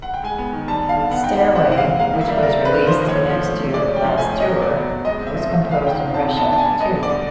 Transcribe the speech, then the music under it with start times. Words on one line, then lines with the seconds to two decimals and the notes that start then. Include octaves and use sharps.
"Stairway" which was released next to "Last Tour" was composed in Russia, too.
0.02 F#5
0.14 G5
0.23 G#3 G#5
0.38 B3
0.53 D#3
0.68 G3 A5
0.82 B3
0.89 F5
0.97 D3
1.11 B3 F#5
1.24 D#4 G5
1.33 F#5
1.40 G3
1.55 C4 F#5
1.69 E3 F#5
1.77 F5
1.85 G#3
1.99 A#3 F5
2.13 E3
2.21 E5
2.28 G3
2.42 G3 A#4
2.58 C4
2.65 B4
2.72 D#3
2.86 F3 C5
3.02 D#2
3.08 C#5
3.15 D3
3.30 F3
3.45 A3
3.60 C3
3.74 G#3 D5
3.88 C#4
3.96 G5
4.04 F3
4.18 A3 G#5
4.33 C#4
4.40 D#5
4.46 F#3
4.62 F#3 D5
4.76 B3
4.91 B2
5.05 G#3 D#5
5.20 C4
5.27 E5
5.35 F3
5.49 A3
5.64 C#3
5.71 F5
5.78 F3
5.87 G5
5.93 D#3 F#5
6.07 F2
6.14 A5
6.22 C3
6.37 B3 A5
6.51 D4 A5
6.58 G#5
6.66 G3
6.80 B3 D#5
6.95 D3
7.03 D5
7.10 G3